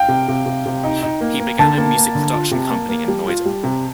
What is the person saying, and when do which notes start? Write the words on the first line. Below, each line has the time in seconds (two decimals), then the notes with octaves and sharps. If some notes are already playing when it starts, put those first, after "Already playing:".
He began a music production company in Noida.
Already playing: F5 G5
0.08 C3
0.28 C3
0.46 C3
0.66 C3
0.84 D#4
1.03 D#4
1.21 A#3
1.39 A#3
1.59 D3 A5
1.78 A#3
1.96 A#3
2.15 D3
2.33 F4
2.51 C3
2.70 A#3
2.89 A#3
3.08 G3
3.27 F4
3.45 G3
3.64 C3